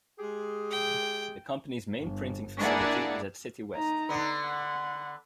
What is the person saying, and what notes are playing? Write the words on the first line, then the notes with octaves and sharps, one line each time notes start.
The company's main printing facility is at Citywest.
G#3 G4 G#4
G5
G1
A#3 D4 E4 G#4 D5 F#5
D#4 A#5
D3 B3
F#5